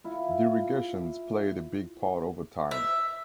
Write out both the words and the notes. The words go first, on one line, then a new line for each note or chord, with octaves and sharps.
The irrigations played a big part over time.
E4 F4
E5